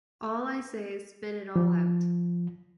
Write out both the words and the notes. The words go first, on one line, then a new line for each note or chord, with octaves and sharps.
All I say is spit it all out!
F3